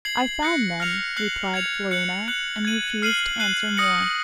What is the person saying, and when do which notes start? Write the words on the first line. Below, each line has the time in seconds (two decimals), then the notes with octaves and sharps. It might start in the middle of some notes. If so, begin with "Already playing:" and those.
"I found them," replied Florina, and refused to answer more.
0.05 G#6 C7 F#7
0.43 F#6 A#6 C#7
0.80 F6 A#6 C#7 F7
1.17 F#6 C7 F#7
1.54 G#6 C#7 F7
1.91 F#6 C#7 F#7
2.28 F#6 C#7 F#7
2.65 G#6 D#7 F#7
3.02 F6 C7 D#7 F#7
3.40 F#6 C7 D#7 F#7
3.77 D#6 A#6 C#7 F#7